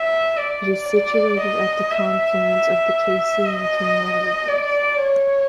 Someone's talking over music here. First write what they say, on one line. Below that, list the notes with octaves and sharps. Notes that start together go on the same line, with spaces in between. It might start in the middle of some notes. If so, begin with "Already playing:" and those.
It is situated at the confluence of the Keisie and Kingna rivers.
Already playing: E5
D5
D5
D#5
E5
D#5
D5
C#5